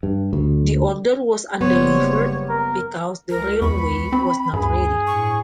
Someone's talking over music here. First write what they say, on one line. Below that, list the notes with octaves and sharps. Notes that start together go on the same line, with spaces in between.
The order was undelivered because the railway was not ready.
G2
D2
F#1 G3 B3 C5 C#5
A#4
C#2 A#4
E2 B5 C#6
C4
D2 G2 G#4
A2 C#6